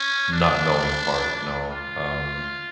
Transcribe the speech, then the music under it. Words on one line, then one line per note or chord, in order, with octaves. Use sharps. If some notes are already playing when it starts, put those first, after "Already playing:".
not knowing part, you know? Um,
Already playing: C#4
D4
F4